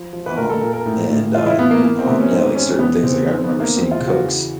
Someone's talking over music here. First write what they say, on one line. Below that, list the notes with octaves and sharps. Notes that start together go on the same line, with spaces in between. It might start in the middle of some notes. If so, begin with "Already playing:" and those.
um, and, uh um, yeah, like certain things, like, I remember seeing cooks,
Already playing: F3
F3
B4
A#2 A#4
A4
A#2 A#4
A#4
A2
A2
E3 F4
E4
E3 B3
A#3
E3 A#3
C4
C3 B3
C#4
G#2 C4
D#3 C#4
E2 B3
C#3 C4
D#3 C4
B3
D#3
A#3
E2 C4
F4
C#3
F#4
E3